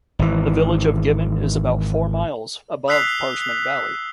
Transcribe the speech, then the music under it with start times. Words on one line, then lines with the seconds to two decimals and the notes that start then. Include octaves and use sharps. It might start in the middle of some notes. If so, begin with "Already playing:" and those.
The village of Given is about four miles above Parchment Valley.
0.19 G#1 E3
2.88 D#6 E6 F#6 B6 C7 F7
3.40 C7 F7